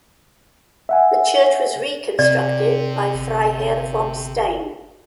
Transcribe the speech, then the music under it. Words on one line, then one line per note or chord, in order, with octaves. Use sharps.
The church was reconstructed by Freiherr vom Stein.
E5 F#5 G#5
C3 D5
G1